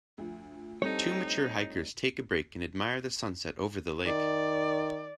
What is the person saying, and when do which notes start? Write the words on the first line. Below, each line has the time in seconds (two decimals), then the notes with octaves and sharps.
Two mature hikers take a break and admire the sunset over the lake.
0.18 D2 F3
0.82 G3 C4 D#4 A4 C#5
4.06 D#3 D5